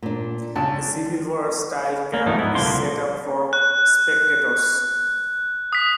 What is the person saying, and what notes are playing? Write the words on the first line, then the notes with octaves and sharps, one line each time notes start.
A Civil-War style camp is set up for spectators.
A#2 D4
C#2 D4 A5
A#3
G#2 F3 A3 B3 D#4
B3 E4
C2 A#2 D3 F3 A#3 C6
F#6
D#6 B6